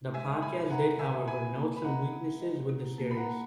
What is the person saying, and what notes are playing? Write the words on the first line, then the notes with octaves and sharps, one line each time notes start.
The podcast did however note some weaknesses with the series.
G#3 E5 G#5
B2 G#5 B5
G#5
D#4 F#5 A#5
B2 E5 G#5
E4 G#5 B5
A#3
B5
D#5 F#5 A#5
E4
D#5
E4
A#3
B5
F#5 A#5
A#3